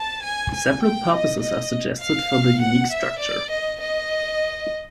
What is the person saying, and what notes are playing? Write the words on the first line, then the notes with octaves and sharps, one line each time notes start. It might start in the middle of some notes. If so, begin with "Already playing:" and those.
Several purposes are suggested for the unique structure.
Already playing: A5
G#5
G#5
G5
D#5
D#5
F5
F#5
E5
D5
D#5
D#5